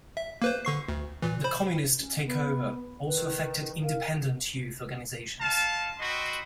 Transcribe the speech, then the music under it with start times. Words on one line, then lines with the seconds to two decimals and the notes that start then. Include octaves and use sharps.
The communist takeover also affected independent youth organisations.
0.17 E5
0.42 A#3 B4 C5
0.65 D3 C#6 C7
0.88 D2
1.22 A#2 E3
1.44 C5 B5
1.99 C#4
2.25 B3
3.07 D#3 B4
3.82 A#4 F5
5.40 D#4 F4 F5 A5
5.99 C4 F#4 D#5 B5 C6